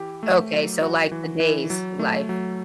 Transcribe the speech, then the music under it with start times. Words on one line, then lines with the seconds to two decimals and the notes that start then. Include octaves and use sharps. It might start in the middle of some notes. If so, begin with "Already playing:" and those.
Okay, so, like, today's life?
Already playing: E3 G4
0.23 A3
0.52 F#3
0.81 F#4
1.12 E3
1.40 E3
1.70 F#3
1.99 A3
2.29 F#3